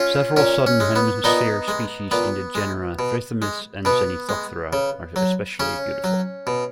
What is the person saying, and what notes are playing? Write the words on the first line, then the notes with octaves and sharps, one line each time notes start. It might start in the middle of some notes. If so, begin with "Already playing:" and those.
Several Southern Hemisphere species in the genera "Trithemis" and "Zenithoptera" are especially beautiful.
Already playing: C#4 F4
A#2 C#4
C#4
G#3
B3
A#2 B3 D#4
G#3
A#2 B3
G#3
B2
G#3
B2 B3
G#3
C#3
F#3
C#3 C#4
F#3
B2